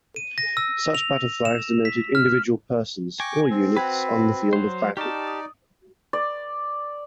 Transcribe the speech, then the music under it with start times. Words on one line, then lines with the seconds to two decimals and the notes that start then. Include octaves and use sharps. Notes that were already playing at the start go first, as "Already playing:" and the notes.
Such battle flags denoted individual persons, or units, on the field of battle.
0.16 D#7
0.38 A#6
0.57 E6
0.95 F7
1.45 E7
1.85 B6
2.15 F6
3.20 G5 G#5 C#6 D6 A#6
3.50 C4
3.76 F#4 B4 G5 B5 G#6
4.53 F#3 C5
4.97 D#4 G4 D5 A5 C#6 F6
5.27 D#6
6.13 D5